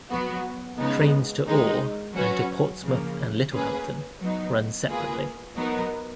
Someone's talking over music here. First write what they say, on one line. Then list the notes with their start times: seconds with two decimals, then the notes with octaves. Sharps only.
Trains to Ore and to Portsmouth and Littlehampton run separately.
0.10 F#3 B3 F#4
0.79 C#3 G#3 B3 D#4
1.46 D#3 G#3 D#4
2.14 F#3 C#4 F#4 B4
2.83 C#3 F3 A#3
3.52 A#3 C#4 G#4 B4
4.20 F#3 B3 D#4
4.88 A#3 F4 G#4 B4
5.57 F#3 B3 D#4 A#4